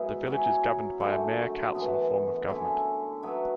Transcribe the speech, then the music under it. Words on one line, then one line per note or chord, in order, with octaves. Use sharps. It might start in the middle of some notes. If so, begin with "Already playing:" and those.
The village is governed by a Mayor-Council form of government.
Already playing: G#2 F#3 B3 E4
F#3 C#4 E4
F#2 D3 F#3 A3
F#2 E3 B3
D3 A3 C#4 E4
F#3 B3 E4